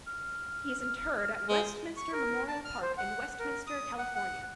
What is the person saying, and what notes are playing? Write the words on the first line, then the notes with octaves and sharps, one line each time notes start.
He is interred at Westminster Memorial Park in Westminster, California.
F6
G#3 C5
C#6
A#4
A5
F6
C5
F#5
A#4
D#6
F#5
F#5